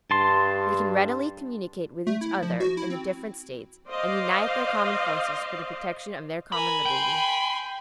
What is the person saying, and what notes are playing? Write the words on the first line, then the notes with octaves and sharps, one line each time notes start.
They can readily communicate with each other in the different States, and unite their common forces for the protection of their common liberty.
G2 A5 C6
A3
E4
F3
F#4
E4
C4
C5 D5 D#5 F5
A#4 G#5 B5
G5 G#5 C6